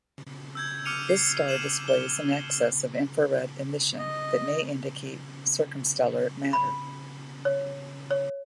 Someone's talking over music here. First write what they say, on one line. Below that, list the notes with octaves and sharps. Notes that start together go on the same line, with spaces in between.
This star displays an excess of infrared emission that may indicate circumstellar matter.
E6 G6 G#6
D6 F6 C#7 D#7 F7
C7
F6 C7 D#7 E7 F#7
G7
D#5
B5
C#5
C#5